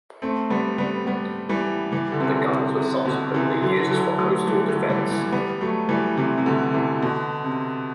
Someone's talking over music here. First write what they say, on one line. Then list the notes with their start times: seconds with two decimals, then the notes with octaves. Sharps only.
The guns were subsequently used for coastal defence.
0.22 A3 C4
0.50 G3 B3
0.78 G3 B3
1.07 G3 B3
1.49 E3 G3
1.92 E3 G3
2.12 D3
2.20 C3 E3
2.49 C3
2.78 C3
3.05 B2 D3
3.34 C3 E3
3.62 D3 F#3
3.82 E3
3.91 D3 F#3
4.19 F#3 A3
4.47 E3 G3
4.69 D3 F#3
4.89 E3 G3
5.11 E3 G3
5.32 G3 B3
5.61 F#3 A3
5.89 E3 G3
6.17 C3 E3
6.38 C3
6.46 B2 D3
6.74 C3 E3
7.02 B2 D3
7.44 C3